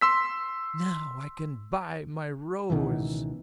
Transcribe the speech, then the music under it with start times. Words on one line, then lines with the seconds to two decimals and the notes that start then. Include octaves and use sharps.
"Now I can buy my rose!"
0.01 C6 E6 B6
2.70 C#2 B2 D#3 E3